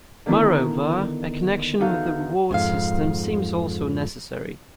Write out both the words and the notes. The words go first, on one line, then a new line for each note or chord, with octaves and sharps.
Moreover, a connection with the reward system seems also necessary.
D3 D#3 B3 D4 E4
E2 D#4 F#4 A4 F5 G6
F2 G#2 F5